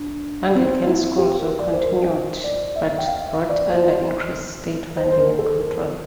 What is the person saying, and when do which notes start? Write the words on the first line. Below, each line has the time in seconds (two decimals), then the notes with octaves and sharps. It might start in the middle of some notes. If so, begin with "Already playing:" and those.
Anglican schools were continued, but brought under increased state funding and control.
Already playing: D4
0.55 C4
0.86 E4
1.18 G4
1.39 A#4
1.60 D5
1.72 C5
1.83 A#4
1.95 C5
2.44 D5
2.76 E5
2.98 G5
3.08 F5
3.28 E5
3.49 D5
3.71 C5
4.97 C5
5.10 C5
5.18 A#4
5.39 A4
5.60 A#4